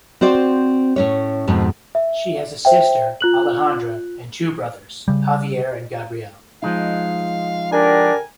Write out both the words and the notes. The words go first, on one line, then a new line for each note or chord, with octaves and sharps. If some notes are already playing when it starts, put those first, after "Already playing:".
She has a sister, Alejandra, and two brothers, Javier and Gabriel.
C4 F#4 C5 D5
A2 C#4 C#5
F2 G#2 B2
E5
C5 E5 G5
F4 F#6 F#7
C#3 G3
F3 G#3 D#4 F5
D3 D4 G4 A#4 G#5